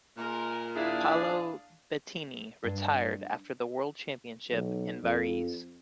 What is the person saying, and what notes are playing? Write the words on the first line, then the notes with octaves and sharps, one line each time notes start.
Paolo Bettini retired after the world championship in Varese.
A#2 G#3 A#4
D#2 D4 E4 G#4 F5
G2
B1
F2